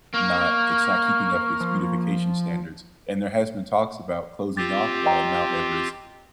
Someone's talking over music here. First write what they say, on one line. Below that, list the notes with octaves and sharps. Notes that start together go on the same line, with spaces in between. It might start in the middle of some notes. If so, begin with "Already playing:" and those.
not it's not keeping up its beautification standards, and there has been talks about closing off, uh, Mount Everest,
A#3 C#6 F6
F3
C4 F4 G4 A6
D#5 G5 A#5